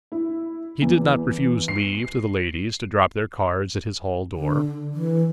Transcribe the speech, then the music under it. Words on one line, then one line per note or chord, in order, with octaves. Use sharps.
He did not refuse leave to the ladies to drop their cards at his hall-door.
E4
E2
C7
D3
E3